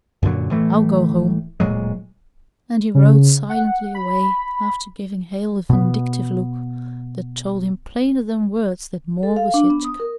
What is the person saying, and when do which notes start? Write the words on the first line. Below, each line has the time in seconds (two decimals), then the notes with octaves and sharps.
"I'll go home." And he rode silently away, after giving Hale a vindictive look that told him plainer than words that more was yet to come.
0.23 F#2 A#2 D3 F#3
0.50 A2 E3 A3
1.60 D1 A#2 F#3 G#3
2.95 C#3
3.50 F#5
3.95 B5
5.70 B2 B3
9.23 A4
9.36 F5
9.54 D4
9.70 B3
9.85 D#6
10.00 A#4